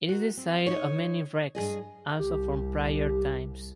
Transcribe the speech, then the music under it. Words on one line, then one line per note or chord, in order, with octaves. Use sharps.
It is the site of many wrecks, also from prior times.
F#4 A#4
C4
D#4 C#5
G2 D#3 G#4 D#5
C2 G4